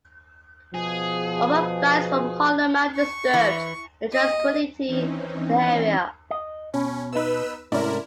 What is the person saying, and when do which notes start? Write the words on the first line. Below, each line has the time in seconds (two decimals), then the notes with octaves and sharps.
Overflights from Holloman disturbed the tranquility of the area.
0.74 B2 F3 G#4
2.96 C#6
3.34 E3
4.13 D#5
4.87 E3 C4 C#4 D#4
6.31 D#5
6.74 B2 C#4
7.13 B3 D#4 B4 E6
7.72 G#2 C3 A3 C#4 E4 A#4 D5